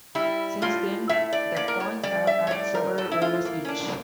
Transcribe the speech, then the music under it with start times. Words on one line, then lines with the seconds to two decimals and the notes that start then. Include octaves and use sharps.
Since then, the coins have had several owners each.
0.15 G3 E4
0.62 A2 F4
1.09 A2 E5
1.33 D5
1.56 A#3 D5
1.68 A#4
1.80 C#5
2.03 G3 D5
2.27 E5
2.47 C#5
2.51 A2 D5
2.74 A#4
2.98 A2 A4
3.12 E4
3.22 F4
3.45 A#3
3.65 C#4
3.68 D4